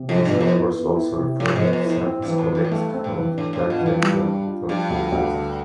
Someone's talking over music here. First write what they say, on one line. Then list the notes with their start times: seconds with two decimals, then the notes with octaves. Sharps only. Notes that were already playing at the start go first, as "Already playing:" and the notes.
These reports also referred to samples collected from the Benteng Lahad Datu cluster.
Already playing: C3
0.08 F2 F3
0.25 G2 B3
0.41 F2
0.52 E4
0.74 B3
0.96 E4
1.18 C3
1.40 A2 F3
1.56 F2
1.62 B3
1.73 F2
1.84 E4
1.90 F2
2.06 C4
2.22 G2
2.28 E3
2.38 A2
2.50 E3
2.55 G2
2.65 A2
2.71 G2 A3
2.93 C4
3.04 G2
3.15 E3
3.37 A2 D4
3.53 A2
3.60 F4
3.70 B2
3.81 E3
3.86 G2
4.03 G3
4.25 D4
4.47 F4
4.69 G2 F3
4.91 D2
5.12 D2
5.35 D3